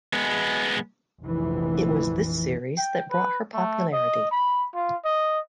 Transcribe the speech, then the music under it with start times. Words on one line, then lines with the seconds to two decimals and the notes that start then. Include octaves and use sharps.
It was this series that brought her popularity.
0.13 G#3 B3
1.22 F1 A#1 E3
2.78 G5
3.11 B4
3.53 A3
3.93 D#5
4.31 B5
4.74 F4
5.05 D#5